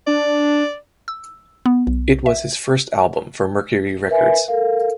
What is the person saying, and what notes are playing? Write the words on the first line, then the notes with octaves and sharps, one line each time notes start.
It was his first album for Mercury Records.
D4 D5
E6
B3
B1
E5
A#4 B4 E5 G#5
A4 A#4 F5